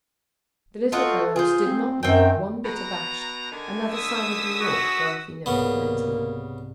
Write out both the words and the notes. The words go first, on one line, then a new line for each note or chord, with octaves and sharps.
The little fellows did not look one bit abashed--another sign of New York, Dorothy noted mentally.
D#4 F4 F#4 A4
F4 G#4 C5
C4
F#2 D#3 C4 G5
B2 A#5
D3 D#3 G#5
D#6 E6 B6
F#4
C2 G#2 C#3 A#3 B3